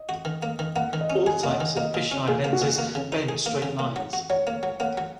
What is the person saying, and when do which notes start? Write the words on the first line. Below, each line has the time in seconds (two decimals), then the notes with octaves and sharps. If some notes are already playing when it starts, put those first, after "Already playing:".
All types of fisheye lenses bend straight lines.
Already playing: D#5
0.09 F#4
0.25 D#3
0.43 A#3
0.59 D#3
0.76 A#3 F#5
0.93 D#3
1.01 D#5
1.10 C#4
1.26 G#4 G#5
1.43 A#3 D#5
1.51 F#5
1.60 D#3
1.77 A#3 D#5
1.94 A#2
2.11 C#4
2.28 A#2 G#4
2.44 A#3
2.53 F#4
2.62 A#2
2.78 A#3
2.95 C#3
3.12 D#4
3.29 G#4
3.46 A#3
3.62 C#3
3.79 A#3
3.96 F#3
4.13 F#4
4.30 F#3 C#5
4.47 A#3
4.63 F#3
4.80 A#3 F#5
4.98 F#3